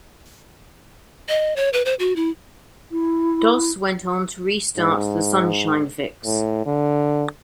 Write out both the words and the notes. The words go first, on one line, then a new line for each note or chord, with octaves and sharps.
Doss went on to restart The Sunshine Fix.
D#5
C#5
B4
C5
F#4
E4
E4
G#2
A2
D3